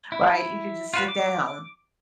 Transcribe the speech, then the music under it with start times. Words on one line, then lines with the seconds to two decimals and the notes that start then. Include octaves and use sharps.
right? You could just sit down.
0.12 E4
0.94 F4 F#4 B4
1.08 D6